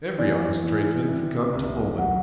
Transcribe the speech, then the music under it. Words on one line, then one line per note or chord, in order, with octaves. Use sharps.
Every honest tradesman can come to Pullman.
E3 D5
E3
C3
C2
F#3 F#5